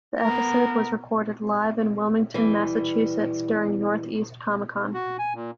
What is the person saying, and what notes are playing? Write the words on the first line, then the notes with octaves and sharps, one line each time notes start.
The episode was recorded live in Wilmington, Massachusetts during North East ComicCon.
B3 A#4
E3 G3
F#4
G#5
A#2